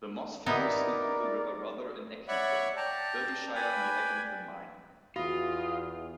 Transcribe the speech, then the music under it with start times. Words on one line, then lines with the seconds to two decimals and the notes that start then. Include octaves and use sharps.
The Moss flows into the River Rother in Eckington, Derbyshire, near Eckington Mine.
0.46 B3 D#4 E4 A#4 D5
2.28 C#5 D5 E5 F#5 B5 C#6
2.76 D5 G5 A5 A#5
3.55 B4 D5 G5 G#5 B5
5.16 E2 F4 F#4 F5 D#6